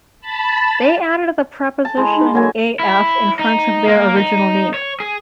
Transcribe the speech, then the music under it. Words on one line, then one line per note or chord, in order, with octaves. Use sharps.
They added the preposition "af" in front of their original name.
A5 B5 A6
A5
G#3 E4 D#5
D#4
D3 F#3 A#3 G#5
E4
D#4
A#3
D#4
C#5
G#4